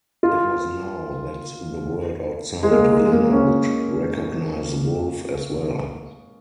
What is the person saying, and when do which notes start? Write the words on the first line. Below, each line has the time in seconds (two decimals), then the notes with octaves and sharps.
It was now that the world outside Vienna would recognize Wolf as well.
0.23 F4
2.63 G#3
2.71 A#3
2.92 G#3
3.05 G#3
3.12 A#3
3.32 C#4